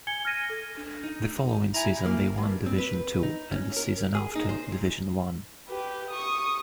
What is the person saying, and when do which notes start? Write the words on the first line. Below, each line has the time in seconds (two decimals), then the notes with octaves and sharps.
The following season they won Division Two, and the season after, Division One.
0.07 G#5 G#6 C#7 G7
0.25 F6 G#6 A#6 D#7
0.50 A4
0.77 D4
1.04 D#4
1.74 E4 G#5 A#5
2.06 A#3
2.38 G2
2.66 C4
2.78 B4
3.23 D#4
3.51 C#4
3.77 A#4
4.15 G#4
4.35 D#4
4.49 C5
5.68 G4 B4
6.10 C#6 D#6